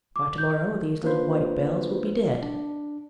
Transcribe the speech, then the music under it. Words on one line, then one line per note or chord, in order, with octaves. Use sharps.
"By to-morrow these little white bells will be dead."
D6
G6
A#3 D4 F4 B4 C5
D4